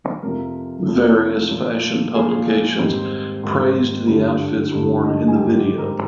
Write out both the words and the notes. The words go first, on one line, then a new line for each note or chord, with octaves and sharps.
Various fashion publications praised the outfits worn in the video.
F2 C3 F3 A#4
F2 C3 F3
A#2 F3
A#2 F3 G#4
G#4
G#4
G#2 D#3 G3 C4 C5
G#2 D#3 G3
G2 D3 G3
G2 D3 G3
D#4 D#5
G#5
G#2 D#3 G3 G4 G5
G4 G5
A#4 A#5